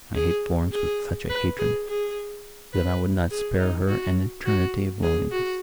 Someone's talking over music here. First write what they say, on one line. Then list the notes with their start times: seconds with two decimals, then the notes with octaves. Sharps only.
I hate Florence with such a hatred that I would not spare her an eternity of loneliness.
0.15 G#4
0.72 G#4
1.29 B4
1.58 G#4
1.88 G#4
2.73 B4
3.31 G#4
3.59 D#4
3.88 F#4
4.45 F#4
5.03 G#4
5.31 F#4